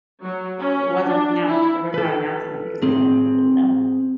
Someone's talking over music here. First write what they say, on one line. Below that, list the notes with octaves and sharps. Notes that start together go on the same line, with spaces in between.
it wasn't announced or they're not announcing it because they don't want people to know.
F#3
C#4
D4
E4
A4 B4
C4 G#4